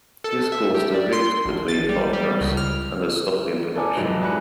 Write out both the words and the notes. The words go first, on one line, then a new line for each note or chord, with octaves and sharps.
This caused a rift between partners and a stop in production.
A4
E5
G4
D5
C6
A#1
A6
G3
G3
C#2
F6
A4 B4 D5 G#5 A#5 D6
C2 F2 G#2 E3 F#3 G#3
D5 G#5 A5 B5 F#6 C#7